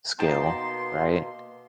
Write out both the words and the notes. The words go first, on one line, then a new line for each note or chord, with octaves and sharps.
skill, right?
B2 A#3 B3 D#4 G5 A5 C6